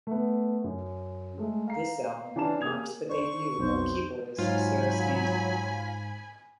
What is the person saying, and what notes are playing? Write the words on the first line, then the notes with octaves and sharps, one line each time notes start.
This album marks the debut of keyboardist Sarah Stanton.
A3 B3
F#2
G#3 A3
F5 A#5 C7
E3 C#4 D4 G4 A5 E7
A#3 G4 G#4 D#6 G#6 F7
D4 C5 C#6
B1 F2 C5
G#2 F#3 F4 C5 G#5 B5